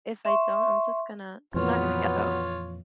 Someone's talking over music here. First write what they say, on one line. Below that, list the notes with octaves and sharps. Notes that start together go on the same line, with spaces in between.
if I don't, I'm just gonna I'm not gonna get up.
E5 C6 C#6
F2 A#2 E3 F#3 B3 F4 C#5